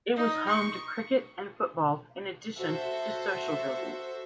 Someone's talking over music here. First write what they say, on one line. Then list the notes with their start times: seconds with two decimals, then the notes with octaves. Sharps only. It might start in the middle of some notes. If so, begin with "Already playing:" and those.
It was home to cricket and football in addition to social buildings.
0.17 D#4
0.48 C#6
2.57 F#4 A4 C5 E5